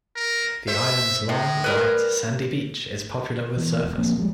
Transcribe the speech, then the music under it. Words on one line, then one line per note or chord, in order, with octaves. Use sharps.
The island's long, white sandy beach is popular with surfers.
A#4
C5 E5
A2 G#3
G3 A#4 B4
E3 B3
E1 E2
A#2 F3 A#3 C4
F3 G3 G#3